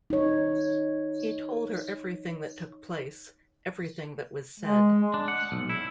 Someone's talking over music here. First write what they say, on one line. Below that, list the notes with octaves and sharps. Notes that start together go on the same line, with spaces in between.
He told her everything that took place, everything that was said.
D#4 C#5
G#3
D4
F#5
B1
E4